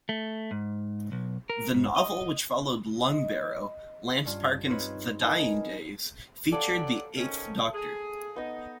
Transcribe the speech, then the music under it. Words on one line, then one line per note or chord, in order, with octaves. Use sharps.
The novel which followed "Lungbarrow", Lance Parkin's "The Dying Days", featured the Eighth Doctor.
A3
G#2
B1
A#4
G#2
D#5
D#5
G2 C#4 F4
C4 D#4 F4 B4 C#5
D#4 A#4 B4 D#5 G#5 A5
G2 F#3 A4 D5 F5
G#2 D#3 C#4
G#4
B3 D#4 D#5